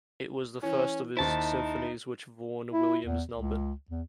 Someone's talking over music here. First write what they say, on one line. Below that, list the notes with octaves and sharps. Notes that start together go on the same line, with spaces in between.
It was the first of his symphonies which Vaughan Williams numbered.
E3 C#4
D#2 D#4 E4 C5 A5
E4
E2
C#2
E2